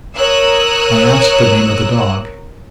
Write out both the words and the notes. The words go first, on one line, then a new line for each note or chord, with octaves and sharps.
I asked the name of the dog.
A#4 C#5 D#6 E6 F#6